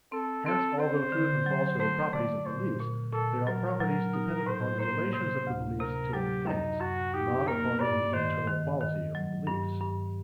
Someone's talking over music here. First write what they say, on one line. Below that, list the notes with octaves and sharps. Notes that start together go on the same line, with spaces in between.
Hence, although truth and falsehood are properties of beliefs, they are properties dependent upon the relations of the beliefs to other things, not upon any internal quality of the beliefs.
C4 A4
C4 A4
C4 C5
D3
F#3
A3 C5
A3 D5
A#2 C5
A#2
A#2 A4
F#3 A#4
F#3
D#4
A2 C5
A#3 C5
C3 C5
D2
C3 A#4
F#3 G4
F#2 D#4
F#2 F#4
D#4 G4
A#3 A#4
G2 D5
D#3 C5
D#3
D#3
F#3
G2
G2